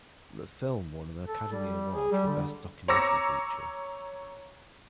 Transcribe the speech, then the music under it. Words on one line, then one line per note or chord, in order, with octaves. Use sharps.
The film won an Academy Award for Best Documentary Feature.
A4
G3
G#4
G3
D3
C#5 A#5 D6 E6 A#6 C#7